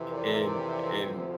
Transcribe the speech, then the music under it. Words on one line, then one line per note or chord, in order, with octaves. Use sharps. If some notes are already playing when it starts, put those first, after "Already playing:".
and and,
Already playing: F2 C3 E3
A#4 D5
D2 C3 F3